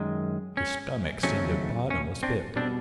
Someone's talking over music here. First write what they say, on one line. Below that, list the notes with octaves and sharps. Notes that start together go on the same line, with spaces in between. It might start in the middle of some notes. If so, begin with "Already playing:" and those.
His stomach seemed a bottomless pit.
Already playing: F#2 D#3 G#3
C#4
D#2 C#3 F#3 A3 C4 C#4
C#4
C4 D4
B2 G3 C4 D4